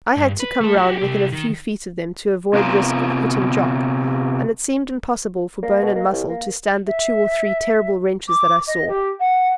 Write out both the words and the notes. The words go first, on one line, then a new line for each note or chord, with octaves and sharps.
I had to come round within a few feet of them to avoid risk of hitting Jock, and it seemed impossible for bone and muscle to stand the two or three terrible wrenches that I saw.
G2
B4
A3 A4
F#4 G4
C2 G4
D#3
C3 B3 F4 A#4 C5
A#3
B2
A#3
C2
A#3
E5
D6
D#5
G4
F#5